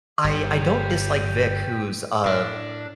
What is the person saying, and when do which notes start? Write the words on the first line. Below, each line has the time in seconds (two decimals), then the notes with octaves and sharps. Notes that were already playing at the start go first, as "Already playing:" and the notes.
I I don't dislike Vic who's, uh,
0.24 G1 G4 C#5
2.25 A2 D4